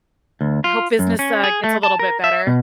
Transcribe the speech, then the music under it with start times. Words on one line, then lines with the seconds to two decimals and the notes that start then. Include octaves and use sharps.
I hope business, uh, gets a little bit better.
0.41 D2
0.64 F4
0.99 F#2
1.19 C#4
1.44 G#4
1.64 A3
1.83 A5
1.99 A#4
2.24 E5
2.47 B2